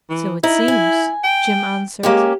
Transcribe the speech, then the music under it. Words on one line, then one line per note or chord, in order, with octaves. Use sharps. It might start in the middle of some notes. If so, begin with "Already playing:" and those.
"So it seems," Jim answered.
E3
D#4 E4
G#5
G5
G#3 A#3 C#4 G4